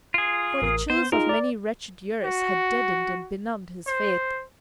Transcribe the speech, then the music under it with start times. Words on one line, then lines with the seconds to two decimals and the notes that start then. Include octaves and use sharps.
For the chills of many wretched years had deadened and benumbed his faith.
0.14 F4 G#4
0.62 A1 A#4 D#6
0.90 B3 C5
1.12 D#4 F4 G#4 A#4
1.29 D5
2.24 F#4
3.87 C5